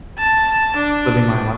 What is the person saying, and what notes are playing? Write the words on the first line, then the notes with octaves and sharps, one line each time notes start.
living my li"
A5
D4